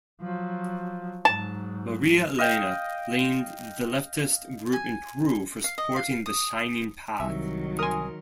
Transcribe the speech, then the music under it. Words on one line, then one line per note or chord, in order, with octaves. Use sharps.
Maria Elena blamed the leftist group in Peru for supporting the Shining Path.
F3 F#3
G#2 F#3 A5
D#5 F5 G5
G#5
F5
D#5
F5
D#6
C2 D#3 F#3 E5
A#4 G#5 C6 D#6